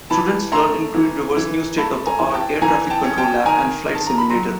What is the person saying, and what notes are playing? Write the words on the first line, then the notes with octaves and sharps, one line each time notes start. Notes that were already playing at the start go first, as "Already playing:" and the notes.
Students learn in Green River's new state-of-the-art air traffic control lab and flight simulator.
E3 A5 B5
A3 A#5 C6
E3
E3
A3 A5 B5
G#5 A#5
E3
G5 A5
E3 G#5 A#5
G5 A5
C#4
G5 A5
D#3 G#5 A#5
D#3
A5
A#5
B5
F#3 A#5 C6